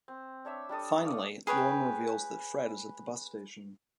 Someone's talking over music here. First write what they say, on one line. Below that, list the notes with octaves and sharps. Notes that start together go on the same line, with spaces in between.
Finally, Lorne reveals that Fred is at the bus station.
C4
D4 C#5 E5 E6
G3 D4 A4 D#6
A3 D5 F5 D#6
G#4 B4 C#5 G5